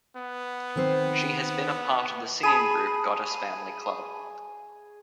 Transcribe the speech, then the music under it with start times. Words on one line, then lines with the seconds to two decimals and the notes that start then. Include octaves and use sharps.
She has been part of the singing group Goddess Family Club.
0.16 B3
0.76 D#3 C4 C5
2.43 G#4 A5 B5 D#7